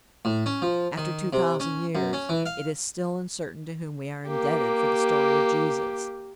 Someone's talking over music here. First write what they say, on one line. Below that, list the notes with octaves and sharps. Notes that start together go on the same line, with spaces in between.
After two thousand years, it is still uncertain to whom we are indebted for the story of Jesus.
A2
C#4
F3
D#3
C3
C#4
F#2
C#4
E3
F5
A#3 G4